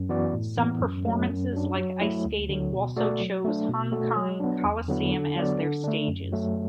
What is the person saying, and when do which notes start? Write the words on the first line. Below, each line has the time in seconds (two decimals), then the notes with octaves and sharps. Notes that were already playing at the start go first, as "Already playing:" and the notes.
Some performances like ice-skating also choose Hong Kong Coliseum as their stages.
Already playing: F#2
0.09 E3 B3 F#4 D5
0.33 A2
0.57 E3 B3
0.81 F#2
1.05 F#3 A3
1.29 F#2
1.53 F#3 D4
1.76 F#3
2.01 A3 E4
2.25 D2
2.49 D3 F#3
2.72 B2
2.96 A3 F#4 A4 D5
3.20 F#3
3.44 A3 D4
3.68 B2
3.92 A3 F#4 A4
4.16 F#3
4.40 B3 D4
4.64 E2
4.88 D3 F#3 B3 E4
5.12 D3
5.36 F#3 B3 F#4 D5
5.60 D3
5.84 A3 D4
6.08 F#2
6.32 F#3 A3